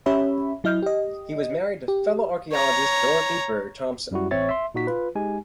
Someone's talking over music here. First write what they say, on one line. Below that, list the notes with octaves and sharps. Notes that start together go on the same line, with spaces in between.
He was married to fellow archaeologist Dorothy Burr Thompson.
C#4 G4 C#5 E5 B5
F#3 E4 D#5 F6 G6
G4 D#5
G4
C#5 A#5
F#2 G3 E4 F#4
A1 C4 C#5 E5 C#6 A6
E5 C6
A#2 D#4 F#4 B6
F4 B4
G#3 D#4 G4 G#5